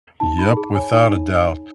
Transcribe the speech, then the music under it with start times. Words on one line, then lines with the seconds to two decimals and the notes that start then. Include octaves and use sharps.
Yep, without a doubt.
0.20 D#4 A5
0.39 D#4 B5
0.57 G#4
0.75 C#5 G#5
0.94 D#4
1.11 D#4